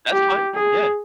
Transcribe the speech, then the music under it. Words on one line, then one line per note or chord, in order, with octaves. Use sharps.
That's fine. Yeah.
G4
G#4